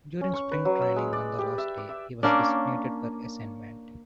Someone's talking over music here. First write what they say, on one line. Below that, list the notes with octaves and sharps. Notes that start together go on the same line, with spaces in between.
During spring training on the last day, he was designated for assignment.
C#4
C#6
B4
F#3
E6
G#3
D5
G4
E5
D5
E5
A#3 C#4 D4